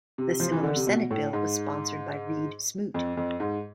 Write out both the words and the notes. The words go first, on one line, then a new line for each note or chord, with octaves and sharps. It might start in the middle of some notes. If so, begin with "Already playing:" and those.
The similar Senate bill was sponsored by Reed Smoot.
C3
F3
E3
D3
C3
B2
A2
G#2
F2
F2
G#2